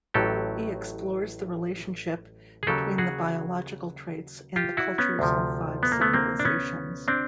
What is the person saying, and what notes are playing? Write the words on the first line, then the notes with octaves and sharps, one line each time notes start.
He explores the relationship between the biological traits and the cultures of five civilizations.
A1 A2 F#3 G4 A4
G#4
D#2 C#3 F#3 G4 A4
F#4 G#4
F4 G4
E4 F#4
B3 C#4
D2 C3 F3
B3
A#3
A3 B3
A#3 C4
D4
B3 C#4
C4 D4